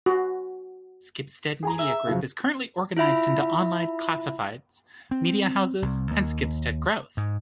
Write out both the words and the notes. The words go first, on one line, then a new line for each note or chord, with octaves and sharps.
Schibsted Media Group is currently organized into Online Classifieds, media houses and Schibsted Growth.
F#4
G#4 G#5 A#5
E5
C#3 F3 F#3
E4 F4 E5 B5
C4
C2
D#2
G#2